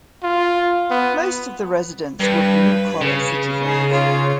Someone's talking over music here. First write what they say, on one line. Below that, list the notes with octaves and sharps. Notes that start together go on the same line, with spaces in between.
Most of the residents were blue collar citizens.
F4
B3
G2 B4
C#3
D#4 G#4
F4 C#5